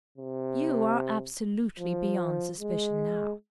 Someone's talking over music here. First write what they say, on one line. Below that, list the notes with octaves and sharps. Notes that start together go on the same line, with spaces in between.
You are absolutely beyond suspicion now.
C3
F3
G#3